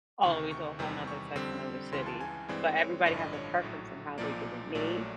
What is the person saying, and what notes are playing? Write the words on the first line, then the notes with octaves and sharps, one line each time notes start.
all the way to a whole 'nother section of the city. But, everybody has a preference in how they get it made,
D2 C3 D#3 C#6
C#6
E2 C3 D#3 G3
C#6
F2 D3 G3 C4
C#2 C#3 E3 C6
A5
G#5
G2 E3 G#3 C4 D5
C#5
A1 G2 D3 F3 D5
D#5
C#5
A#1 A2 F#3
B1 A#2 F3 A#3 D5
A#1 A#2 F#3 A3 D5
C#5